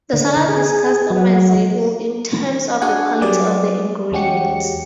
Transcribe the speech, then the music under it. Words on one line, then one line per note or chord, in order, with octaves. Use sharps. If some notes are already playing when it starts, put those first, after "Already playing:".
The salad is customizable in terms of the quality of the ingredients.
D3
G#4
F#3
D4 F#4 G#4 D5 F#5 G#5
F#3 G3 B3 G#4 D5
E2 G#3 C#4 F#4 G4 C#7